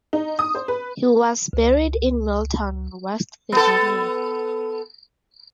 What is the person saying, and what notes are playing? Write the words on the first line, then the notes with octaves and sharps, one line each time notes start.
He was buried in Milton, West Virginia.
D#4
D#6
C5
B4
C#2
B3 A4